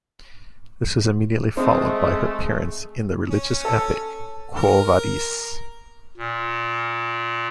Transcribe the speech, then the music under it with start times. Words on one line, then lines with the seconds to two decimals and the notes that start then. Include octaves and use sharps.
This was immediately followed by her appearance in the religious epic Quo Vadis?
1.57 G#3 A3 C4 G#4
3.31 C#4
3.65 A4
4.55 A#4
6.17 A#2